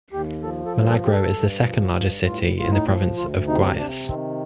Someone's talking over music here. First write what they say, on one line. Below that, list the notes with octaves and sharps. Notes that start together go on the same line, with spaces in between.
Milagro is the second largest city in the province of Guayas.
D#2 G4
F3 A4
A4
G2
A4
G2 G4
A4
G2
F3
G2
A2 F4
A2 F4
D#4
F3
D2 F4
C3 D#4
C3 D4
D#3 C4